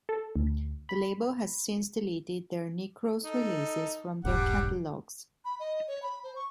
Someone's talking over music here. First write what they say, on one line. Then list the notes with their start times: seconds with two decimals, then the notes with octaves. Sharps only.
The label has since deleted their Necros releases from their catalogue.
0.09 A4
0.35 D2
0.89 B5
3.24 D#4 A4
4.24 E1 C2 G#2 G3 D4 F#5
5.45 B5
5.60 D#5
5.88 C#5
6.03 B5
6.24 C5
6.36 C#6